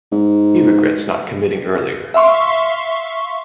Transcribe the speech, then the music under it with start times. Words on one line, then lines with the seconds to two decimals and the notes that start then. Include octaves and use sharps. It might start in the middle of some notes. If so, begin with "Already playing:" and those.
He regrets not committing earlier.
0.12 G#2
2.14 E5 F5 C6 C#6